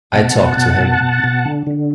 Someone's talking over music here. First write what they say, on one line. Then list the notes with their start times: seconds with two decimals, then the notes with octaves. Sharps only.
I talk to him.
0.13 B2 F#5 A5
0.36 B2
0.57 B2
0.79 B2
1.01 B2
1.24 B2
1.45 D3
1.67 D3